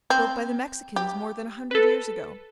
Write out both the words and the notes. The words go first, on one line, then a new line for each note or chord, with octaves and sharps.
"Built by the Mexicans more than a hundred years ago."
C4
G4
A4 B4